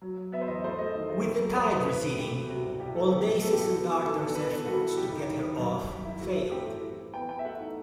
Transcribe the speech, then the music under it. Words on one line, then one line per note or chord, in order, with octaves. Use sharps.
With the tide receding, all "Dace"s and "Darter"s efforts to get her off failed.
F#3
F#3
B3 E5
C5
E2 D#5
A3 C5
A3 D#5
D#3
A3
G3
F#2
F#2 C5
E3 B4
A3 B4
B2
C4 G4
B2
C3 F#4
C2
C2 G4
A3 A4
B3 G4
A2
B3 A4
G4
A2
F#4
B3
B3
D#3 A4
B3
E3 B4
B3 A4
G3 F#4
E3
A4
G3 G4
D#4
D#3
G3
F#2
F#2
F#2
E4
A3 F#4
A3
C4 G4
A2
E3
E3
B3 G5
B3 G5
E5
A3 F#5
D#4